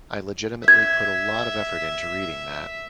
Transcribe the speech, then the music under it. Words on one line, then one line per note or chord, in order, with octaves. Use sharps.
I legitimately put a lot of effort into reading that.
E5 G#6